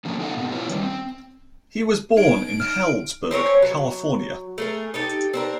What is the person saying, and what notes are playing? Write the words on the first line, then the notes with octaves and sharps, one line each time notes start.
He was born in Healdsburg, California.
D3 E3 F3 A#3 C#4
B3 D#4 A4 D#5 F5 F#5
A#2 B3 C4
E4 F4 B4 C#5
D#3 G3 C#4
C4
D#4 D7
F6
C4 C#4 A#4 C#5
F#3
A3 G#4 A#4
D#4 G4 A4
C4 D4 A#4